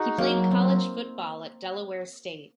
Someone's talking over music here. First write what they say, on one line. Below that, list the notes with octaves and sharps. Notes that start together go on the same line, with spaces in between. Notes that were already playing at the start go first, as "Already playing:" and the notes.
He played college football at Delaware State.
Already playing: D#4 F#4 G#4
F#3 A#3
C4